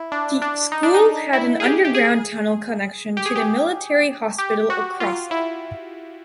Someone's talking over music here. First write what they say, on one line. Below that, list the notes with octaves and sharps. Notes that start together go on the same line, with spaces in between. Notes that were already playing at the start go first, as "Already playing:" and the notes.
The school had an underground tunnel connection to the military hospital across it.
Already playing: E4
D4
D4
D#4
D4
D#4
E4
G#4
G4
G4
G#4
G4
G#4
G4
G4
F#4
F4
E4